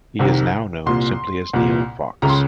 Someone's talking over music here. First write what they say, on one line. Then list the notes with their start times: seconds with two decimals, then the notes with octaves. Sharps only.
He is now known simply as Neil Fox.
0.19 C2 C3 D#3
0.86 C2 A#2 C6
1.53 C2 A#2
2.22 C#2 C#3 A#5
2.29 C6